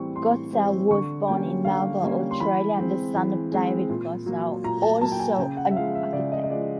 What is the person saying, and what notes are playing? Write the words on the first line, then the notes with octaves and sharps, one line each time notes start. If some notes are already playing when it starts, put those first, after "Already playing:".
Godsell was born in Melbourne, Australia, the son of David Godsell, also an architect.
Already playing: A2 E3 G3 C4 C#6
A2 C6
E3 G3 C4
D3 C#6
G3 A#3 C#4 G5
D3 F5
G3 A#3 C#4
C6
E3 B5
G#3 C4
E3
G#3 C4
A#2
F#3 A#3
A#2 A#5
A5
F#3 A#3 A5
G5
G#5
C#3 G5
F#5
E5
F3 G#3 F5
E5
C#3 D5
D#5
D#5
F3 G#3 D5